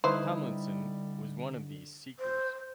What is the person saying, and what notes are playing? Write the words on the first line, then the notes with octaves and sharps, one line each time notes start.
Tomlinson was one of these seekers.
D3 G3 D#4 E4 B4 C5
C5